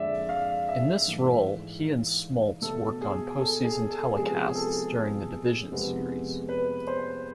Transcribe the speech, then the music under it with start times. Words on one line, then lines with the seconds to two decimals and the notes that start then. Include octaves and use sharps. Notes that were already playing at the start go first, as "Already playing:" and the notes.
In this role, he and Smoltz worked on postseason telecasts during the Division Series.
Already playing: F2 D3 G#3 D5 E5
0.29 F5
0.68 E5
1.07 G#2 E3 A3
2.61 B2 A3 A4
3.01 G#4
3.39 A4
3.64 G#4
3.90 A4
4.16 C3 F3 G#3 B3 G#4
4.45 G#4
4.55 A4
5.71 F2 C3 G#3 B3
6.49 B4
6.87 C5